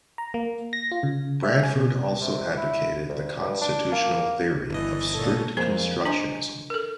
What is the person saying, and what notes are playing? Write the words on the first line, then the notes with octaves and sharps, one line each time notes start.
Bradford also advocated the constitutional theory of strict constructionism.
A#5
A#3
A#6
F4
C#3
E5
G#5
B2
C3
E4
D2
G2
D4
A#3
G1 E3 A4 D#5
A#2 A4 C#5
F2 A#3 G#4 C5 G#5
D4 C5 D#5 G#5
A4 A#4